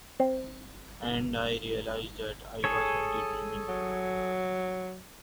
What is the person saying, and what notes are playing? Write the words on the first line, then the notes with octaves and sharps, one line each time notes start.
And I realize that I was only dreaming.
C4
G#4 A4 C#5
F#3